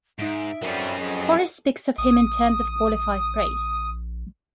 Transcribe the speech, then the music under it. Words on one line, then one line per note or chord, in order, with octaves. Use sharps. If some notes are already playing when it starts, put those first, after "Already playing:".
Horace speaks of him in terms of qualified praise.
G#2 D#4 E5 D7
F2 B2 F#3 G3 C#4 A#4 C7 D#7
F2 G#4 D#5
A#1 D#6